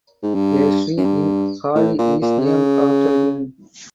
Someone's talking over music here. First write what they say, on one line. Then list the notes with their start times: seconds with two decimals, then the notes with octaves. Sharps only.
A street in Halle is named after him.
0.23 G#2
0.35 G2
0.97 F#2
1.05 G2
1.75 A2
1.99 A#2
2.22 A#2
2.40 C3
2.45 C#3